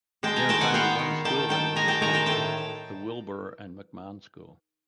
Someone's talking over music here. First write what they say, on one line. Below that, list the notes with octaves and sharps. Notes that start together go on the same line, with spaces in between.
There is only one school in Little Compton, the Wilbur and McMahon school.
G#3 G5 A5
G#5 A#5
D#3 G5 A5
F#5 G#5
B3 F5 G5
D#3
D#3 G5 A5
D#3 G5 A5
G#3 G#5 A#5
G5 A5
D#3 G#5 A#5
G5 A5
A2 G5 A5